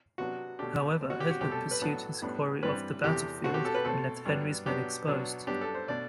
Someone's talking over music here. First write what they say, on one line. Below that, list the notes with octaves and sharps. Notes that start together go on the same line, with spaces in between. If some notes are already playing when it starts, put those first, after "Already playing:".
However Edward pursued his quarry off the battlefield and left Henry's men exposed.
C3 F#3 B3 D4 F#4
B2 A3 D4 G4
B2 G3 C4
F#4
G4
F#4
C2 B2 A3 C4 G4
A4
B4
A2 F#3 B3 D4 A4
A2 G3 B3 D4
G2 E3 G3 C4 B4
E2 C3 E3 A3 G4
B2 A3 C4 F#4
G4
A4
B4
B2 A3 C4 A4
G2 F#3 B3 D4
B2 F#3 B3 D4 G4
B2 F#3 B3 D4
G2 F#3 B3 D4 G4
A4
C5
B2 A3 D4 D5